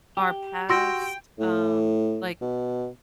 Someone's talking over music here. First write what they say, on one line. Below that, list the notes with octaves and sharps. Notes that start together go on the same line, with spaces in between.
our past, um like,
G4
F#4 G5 C6 E6 A#6
A2
B2